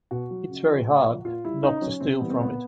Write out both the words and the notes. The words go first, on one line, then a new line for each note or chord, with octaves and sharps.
It's very hard not to steal from it.
B2 F#4
F#3
C#3
F3
A2
F3
A#2 F4
G3 E4
C#3 D#4
F#3 C#4
C3 C4
E3 G3 B3
C4
A#2 B3